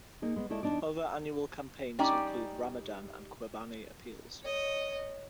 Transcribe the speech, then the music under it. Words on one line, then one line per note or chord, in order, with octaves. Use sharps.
Other annual campaigns include Ramadan and Qurbani appeals.
A#3 D#4 G#4
G#3 B3
G#3 A3 E4 A4 D5
E2 C3 D4 D#4 D5
G3 C#4 D#4 D5 G5 A#5
C#5 D#5